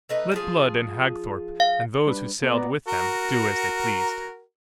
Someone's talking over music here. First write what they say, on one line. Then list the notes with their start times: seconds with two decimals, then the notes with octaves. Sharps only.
Let Blood and Hagthorpe and those who sailed with them do as they pleased.
0.09 A3 D#4 B4
0.32 F3 F4 G#4
1.60 F5
2.07 G3 D4 B4
2.42 B2 B3 A4 D#5
2.55 D5 A#5
2.87 F#4 A#4